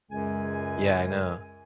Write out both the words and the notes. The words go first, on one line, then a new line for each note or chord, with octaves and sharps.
Yeah, I know.
C#2 F#2 G#3 G#5